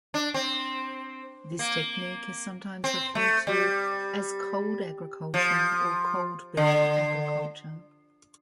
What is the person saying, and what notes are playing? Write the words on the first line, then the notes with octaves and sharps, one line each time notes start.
This technique is sometimes referred to as "cold agriculture" or "cold-bed agriculture".
D4
C4
A#3
C4
A3
G3
F3
D3